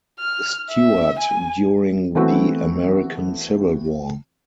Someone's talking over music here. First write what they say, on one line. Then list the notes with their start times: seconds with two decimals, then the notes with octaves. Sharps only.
Stuart during the American Civil War.
0.19 F6
0.70 E5
1.19 G#5
2.15 E3 A3 B3 C4 E4 F#4